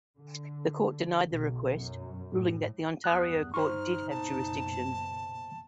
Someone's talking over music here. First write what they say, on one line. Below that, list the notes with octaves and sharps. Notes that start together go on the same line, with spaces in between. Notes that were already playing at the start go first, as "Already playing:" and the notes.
The court denied the request, ruling that the Ontario court did have jurisdiction.
D3
B1
F#2
A2
E2 G2 D#6 F#6
D#4 C5 C6 C#6 F6
F#1 B2 A5